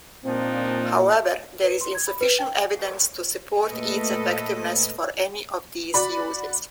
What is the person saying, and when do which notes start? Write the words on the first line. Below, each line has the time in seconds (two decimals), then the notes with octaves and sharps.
However, there is insufficient evidence to support its effectiveness for any of these uses.
0.25 A#2 F3 C4 D4 D#4
1.63 B4
1.81 C6
1.95 G#6
2.07 B5
2.21 B4
2.39 G5
3.67 A#2 A3 A4 B4 D#5
5.94 F#4 D5 B5